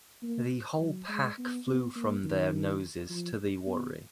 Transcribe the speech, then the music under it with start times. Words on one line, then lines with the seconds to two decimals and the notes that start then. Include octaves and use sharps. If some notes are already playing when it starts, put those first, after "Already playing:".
The whole pack flew from their noses to the worry.
0.23 A#3
0.81 F#3
1.09 G#3
1.38 B3
1.67 B3
1.96 A#3
2.24 D#3
3.09 F3
3.67 B3